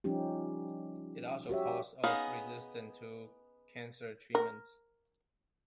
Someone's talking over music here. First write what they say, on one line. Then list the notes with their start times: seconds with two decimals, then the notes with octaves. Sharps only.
It is also a cause of resistance to cancer treatments.
0.04 F3 G3 C#4 D#4 G4
1.49 F#4 G4 C#5 E5
2.04 B3 C#4 D#4 G#4 F5
4.35 A#4